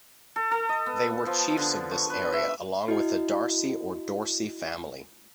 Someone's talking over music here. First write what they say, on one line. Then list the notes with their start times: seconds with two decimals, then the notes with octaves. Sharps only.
They were chiefs of this area along with the Darcy or Dorcey family.
0.36 A4
0.51 A4
0.69 D#5
0.86 B3
1.26 F3
1.57 D3
1.91 C#6
2.10 B4
2.33 E5
2.88 E4 F#4 D#5